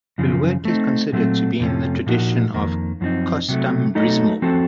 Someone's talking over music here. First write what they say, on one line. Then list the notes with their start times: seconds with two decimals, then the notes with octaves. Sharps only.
Her work is considered to be in the tradition of "costumbrismo".
0.18 F#2 C#3 F3
0.65 A3 C4 D#4
1.12 A#2 F#3 A3 C4
1.60 F2 C3 F3 A3 C#4
2.06 A#2 F3 A#3 D#4 F#4
2.54 F2 D#3 A#3
3.01 F#2 F3 C4 D#4
3.49 C3 F#3 A3
3.95 F#3 A3 D#4 A4 D#5
4.42 F3 C4 F#4 A4 C5